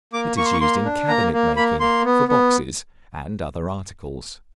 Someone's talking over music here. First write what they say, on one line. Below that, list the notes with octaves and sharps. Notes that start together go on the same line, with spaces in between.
It is used in cabinet-making, for boxes, and other articles.
A#3 D6
A#3 C#6
C6
C#6
A#3 C6
D4
A#3 A#5
A#3
A#3 B5
A#3 C6
B3
B3